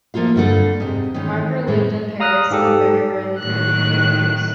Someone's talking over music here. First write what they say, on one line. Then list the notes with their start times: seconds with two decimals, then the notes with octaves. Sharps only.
Marker lived in Paris, and very rarely granted interviews.
0.14 F3 A3 A#3 F4 F5
0.36 G2 D3 A3 D4 A4
0.80 G#2 C3
1.14 D#3 E3 A3 C#4
1.67 A2 G#3
2.20 F5 A#5 D#6 F6 F#6
2.51 G#2 G4 A4
3.39 A2 D#3 F#3 F#6